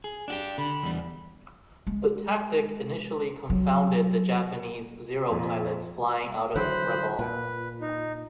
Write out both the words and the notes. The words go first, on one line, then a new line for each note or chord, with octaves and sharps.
The tactic initially confounded the Japanese Zero pilots flying out of Rabaul.
G#4
D4 F#4 G4
D3 B5
E2 G3
G#3
F#3
F2 A#2
D3 E3 F#3 C5 B5 F#6
A#2 B4
D#4